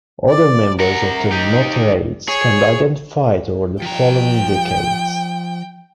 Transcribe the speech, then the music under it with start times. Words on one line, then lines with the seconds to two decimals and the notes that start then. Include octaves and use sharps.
Other members of the Notarades can be identified over the following decades.
0.29 D5
0.80 A#4 F#5 A#5
1.31 D#4 G4
2.28 G#4 C#5
3.82 F3 G5 A#5